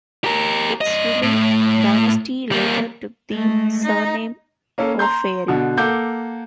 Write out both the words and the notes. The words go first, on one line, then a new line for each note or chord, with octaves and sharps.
Its ruling dynasty later took the surname O'Feary.
G4 A#4
G2 D#5
A2
G3 A#3
G#3 A3
D#4
A#3 C#4 A4
A#5 C6 G6
B2 D3
A#3 A4 F#5 D6 G6